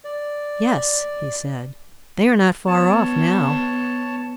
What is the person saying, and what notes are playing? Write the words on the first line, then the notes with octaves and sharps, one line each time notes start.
'Yes,' he said, 'they are not far off now.'
D5
B3 C#5 A5